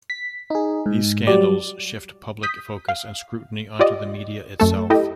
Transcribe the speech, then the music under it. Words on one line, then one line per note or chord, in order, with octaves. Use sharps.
These scandals shift public focus and scrutiny onto the media itself.
B6
D#4 G#4
G#2
F#3 G3 D5
D#6 G6 B6
F5
F4 G4 D5 D#5
F#2 A3 A4
E4 G4 A4 D#5